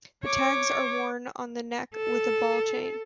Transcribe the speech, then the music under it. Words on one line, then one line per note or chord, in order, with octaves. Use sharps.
The tags are worn on the neck with a ball chain.
C#5 D6
A4